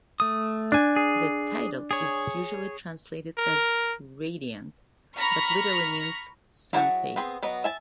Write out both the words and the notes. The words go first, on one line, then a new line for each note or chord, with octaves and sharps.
The title is usually translated as "radiant" but literally means "sun-faced".
A3 D#6
D4 G#5
G#4
G#4 C#5
A#4
A#5 B5 C#6 F6 A#6 B6
F#3 E4 G#4 F#5 A5
B3 C4 G#4
F#3 B3 D#5
E5 G#5 A5